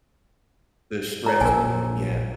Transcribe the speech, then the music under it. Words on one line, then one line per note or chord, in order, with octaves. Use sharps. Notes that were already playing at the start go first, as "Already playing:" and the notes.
the stress relief, yeah.
C#5 A#5
A#1 A#4 G#5